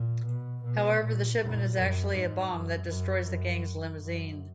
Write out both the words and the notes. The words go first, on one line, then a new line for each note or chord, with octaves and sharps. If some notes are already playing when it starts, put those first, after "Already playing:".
However, the shipment is actually a bomb that destroys the gang's limousine.
Already playing: A#2
B2
B2
A#2
A#2
F#2
G#2
F#2
F#2
F#2
F#2